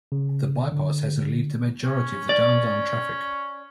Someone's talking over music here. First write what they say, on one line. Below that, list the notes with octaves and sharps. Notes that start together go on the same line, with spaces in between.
The bypass has relieved a majority of the downtown traffic.
C#3
D3
C#4
D5